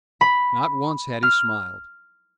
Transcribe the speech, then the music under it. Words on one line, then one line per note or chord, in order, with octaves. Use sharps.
Not once had he smiled.
B5
F6